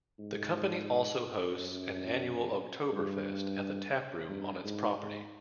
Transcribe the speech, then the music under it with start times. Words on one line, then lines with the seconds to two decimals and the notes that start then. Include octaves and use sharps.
The company also hosts an annual Oktoberfest at the Tap Room on its property.
0.19 G#2
1.56 F#2
2.93 G2
4.29 G2
4.64 G#2
4.98 G#2